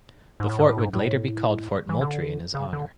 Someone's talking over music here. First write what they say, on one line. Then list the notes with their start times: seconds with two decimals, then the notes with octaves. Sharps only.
The fort would later be called Fort Moultrie in his honor.
0.40 G#2
0.49 A2
0.59 G#2
0.68 A2
0.78 G#2
0.93 A2
1.89 E3
2.01 D3
2.55 C#3
2.73 D3